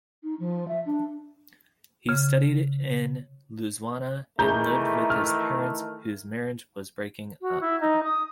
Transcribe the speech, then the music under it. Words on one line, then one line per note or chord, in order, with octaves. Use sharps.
He studied in Lausanne and lived with his parents, whose marriage was breaking up.
D#4
F3
E5
D4
C#3
D#3 E3 A3 G#4 A#5 G6
F6
F#4
E4
D#4
D#6